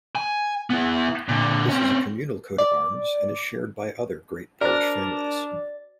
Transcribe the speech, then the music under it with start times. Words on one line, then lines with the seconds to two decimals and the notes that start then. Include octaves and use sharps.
This is a communal coat-of-arms and is shared by other Great Polish Families.
0.15 G#5
0.70 B3 E4
1.29 A#2 D3
1.69 C4 C#4
2.58 D5
4.61 D4 F#4 A#4 C5 D5 A6